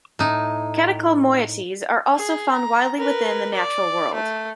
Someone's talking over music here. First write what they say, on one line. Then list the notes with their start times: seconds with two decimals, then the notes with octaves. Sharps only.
Catechol moieties are also found widely within the natural world.
0.19 A2 D#4
2.16 G#4
2.50 A#5
2.98 A#4 B4
3.54 D5
4.14 A3